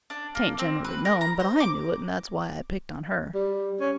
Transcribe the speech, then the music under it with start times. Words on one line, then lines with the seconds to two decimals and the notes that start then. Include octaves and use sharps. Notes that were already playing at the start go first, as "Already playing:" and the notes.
'Tain't generally known, but I knew it and that's why I picked on her.
0.10 D4
0.35 A#3
0.59 C4
0.84 B4
1.05 A#4
1.21 A#5
1.40 C5
1.60 D6
3.35 G3
3.80 C#4